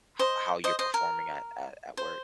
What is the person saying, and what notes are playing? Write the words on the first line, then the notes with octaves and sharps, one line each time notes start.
h how you're performing at at at work?
C5 D#5
C5 D#5
C5 D#5
A#4
C5